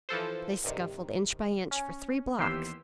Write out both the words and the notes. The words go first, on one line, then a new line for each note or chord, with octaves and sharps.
They scuffled inch by inch for three blocks.
E3 F3 A4 C5
G2 C3 D#3
C#4
D#2 E3 B3 G4 C6 E6